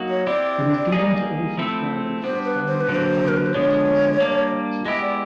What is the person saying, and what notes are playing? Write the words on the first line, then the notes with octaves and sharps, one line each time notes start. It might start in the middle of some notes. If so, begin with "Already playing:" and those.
It is given to all subscribers with standard and high definition set-top boxes.
Already playing: F#3 A#3 D#4 F#4
C#5
C4 E4 G4 D5
G3 A#3 D#4 G#4
F3 A3 C4 E4 A4
G3 B3 D4 C5
B4
C5
B4
D3 F#3 A#3
C5
A#4
B4
C5
D3 F3 G#3 B3 D4 C#5
G3 A#3 D4
G#3 B3 E4 G4 D#5
D5